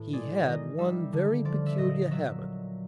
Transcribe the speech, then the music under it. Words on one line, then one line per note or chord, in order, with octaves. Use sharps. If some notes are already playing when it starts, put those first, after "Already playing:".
He had one very peculiar habit.
Already playing: A2 E3
G#3 D5
D#3 D#5
G3 E5
D3
F3 D5
E5
A#2 D#5
F#3 E5